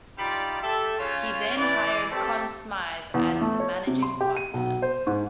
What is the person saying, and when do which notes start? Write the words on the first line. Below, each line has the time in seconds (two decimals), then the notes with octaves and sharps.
He then hired Conn Smythe as the Managing Partner.
0.17 G3 D#4 F4 B4 D5 B5
0.62 G4 A4 E5
0.99 C#3 C#4 F4
1.57 E3 D5
2.11 A3 C4 G4 A4
3.14 E2
3.41 A3
3.60 C#5
3.87 C3
4.02 C6
4.21 G4
4.37 D#7
4.54 B1
4.82 C5
5.07 G#2